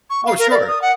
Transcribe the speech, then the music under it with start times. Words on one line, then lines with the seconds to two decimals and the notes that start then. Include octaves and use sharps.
Oh, sure.
0.10 C#6
0.26 F5
0.39 A#4
0.51 D5
0.67 D#6
0.82 F#5